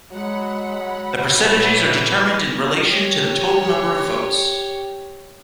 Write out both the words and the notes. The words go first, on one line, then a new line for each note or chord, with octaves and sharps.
The percentages are determined in relation to the total number of votes.
F#3 G#3 F#5 B5
A#2 E4 B4
G4 C#5